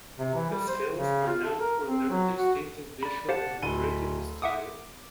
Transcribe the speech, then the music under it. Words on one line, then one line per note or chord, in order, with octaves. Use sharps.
His films are known for their distinctive visual and narrative style.
C3
E3
G3
C5
C#3
F4
A4
A#4
C4
F#3
F#4
D5 B5
G4 C5 D5 F5 F#5 A5
D1 A4 B5 C6 D#7
E5 F#5 D6 D#6